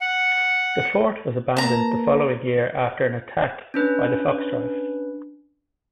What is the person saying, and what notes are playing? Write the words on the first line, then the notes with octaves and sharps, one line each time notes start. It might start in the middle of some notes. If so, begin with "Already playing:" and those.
The fort was abandoned the following year after an attack by the Fox tribe.
F#5
A#3 B4 A5 A#5
C#4 D4 B4